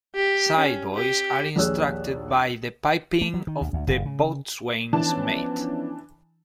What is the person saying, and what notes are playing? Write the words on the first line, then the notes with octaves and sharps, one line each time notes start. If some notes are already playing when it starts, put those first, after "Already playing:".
Sideboys are instructed by the piping of the Boatswain's Mate.
G4
C#4
G4
A#1 D#2 G#4 C#5 E6 F#6
A3
F#3
D#3
D2
D2
F#1
C#3
E3 F3 B3 C#4 D4 A5